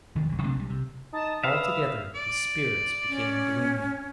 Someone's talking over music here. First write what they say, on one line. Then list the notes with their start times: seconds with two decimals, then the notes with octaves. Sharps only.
Altogether his spirits became gloomy.
0.15 E1 D#2 D#3 F3
0.29 F#1 C2
0.43 C3 A3 C4 D4
0.55 B1 G3
0.70 C3
1.13 D#4 A5 D#6
1.44 B4 E5 F5 E6
2.16 D5
3.08 C#4